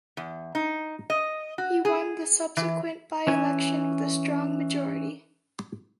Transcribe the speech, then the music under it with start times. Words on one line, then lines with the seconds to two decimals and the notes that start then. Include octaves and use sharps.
He won the subsequent by-election with a strong majority.
0.17 E2
0.55 D#4
1.10 D#5
1.58 F#4
1.85 G#4
2.57 E3
3.27 E3 C#4 G#5